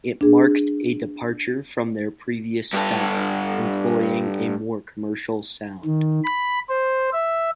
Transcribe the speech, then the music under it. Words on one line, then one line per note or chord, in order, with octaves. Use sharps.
It marked a departure from their previous style, employing a more commercial sound.
D4 G#4
G2 A4
D#3
B5
C5
E5